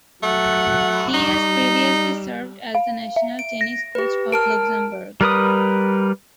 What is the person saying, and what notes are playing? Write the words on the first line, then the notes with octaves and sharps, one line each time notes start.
He has previously served as the national tennis coach of Luxembourg.
F#3 A3 F#5
G3 D#4
F5
E5
D7
A#6
G4 B4
A#4 A5 F6 D7
G3 A#4 B4 D#6